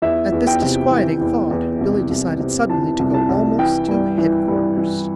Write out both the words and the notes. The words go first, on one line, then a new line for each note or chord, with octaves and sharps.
At this disquieting thought Billy decided, suddenly, to go almost to headquarters.
E2 E5
E2
G5
C3
E3
E2
E2
C2
C2
C3
E3 A5
C2
A5
C2
E3 G5
G2
E3
G2
E3